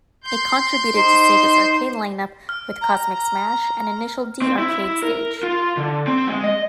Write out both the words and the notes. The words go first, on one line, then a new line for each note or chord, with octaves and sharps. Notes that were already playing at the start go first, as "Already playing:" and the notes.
It contributed to Sega's arcade line-up with "Cosmic Smash" and "Initial D Arcade Stage".
C6 G6
D#4 C5
F6
A#5
C4
E4
A#4
F4
D3
C4
G#3
D#5